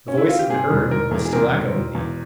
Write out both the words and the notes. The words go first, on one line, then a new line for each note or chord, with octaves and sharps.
The voice of the herd will still echo in thee.
C#4
E4
F4
G4
C3 G#4
E1
E1 A#4
E2
G#4
C3 A#4
E1
E1
E2